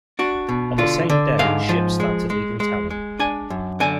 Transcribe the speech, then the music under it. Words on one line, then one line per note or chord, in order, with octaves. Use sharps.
On the same day ships started leaving Tallinn.
D4 F#4
B2
D3 F4
D3
G#2 F5
F3
G#3
G#3
G#3
G#3
D4 G#5
F#2
D3 G#5